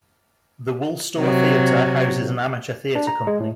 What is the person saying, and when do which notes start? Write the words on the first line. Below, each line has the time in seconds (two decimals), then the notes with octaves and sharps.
The Woolstore Theatre houses an amateur theatre company.
1.17 C3 F#3
2.95 D4
3.07 A#5
3.27 G#3
3.40 A2